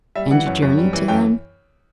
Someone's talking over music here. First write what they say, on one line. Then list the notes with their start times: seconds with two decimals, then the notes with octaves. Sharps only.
"And you journeyed to them?"
0.15 G3 E5
0.31 E3 F#5
0.46 F#2
0.62 F#2
0.77 G3
0.93 E3
1.08 F#2 G5